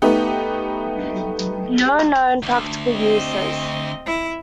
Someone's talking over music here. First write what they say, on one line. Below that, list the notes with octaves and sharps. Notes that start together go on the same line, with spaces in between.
No known practical uses.
A3 B3 D#4 G4
D2
C4 D#5
E4